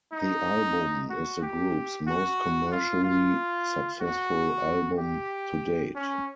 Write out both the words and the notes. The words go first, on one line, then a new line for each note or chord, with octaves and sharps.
The album is the group's most commercially successful album to date.
D#4
F#4
G4
F#4
F4
F4
F#4
G4
C#4